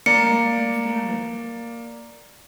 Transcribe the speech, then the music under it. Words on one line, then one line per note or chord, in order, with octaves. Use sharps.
you know, understand that
A#3 D5 A#5 C#7